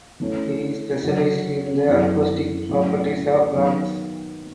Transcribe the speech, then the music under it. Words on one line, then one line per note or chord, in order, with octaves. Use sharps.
He specialised in the acoustic properties of rocks.
E3 A3 C#4
C#3 F#3 C#4 F#4
F#2 E3 B3
A2 F#3 C#4 F#4
D#3 F#3 B3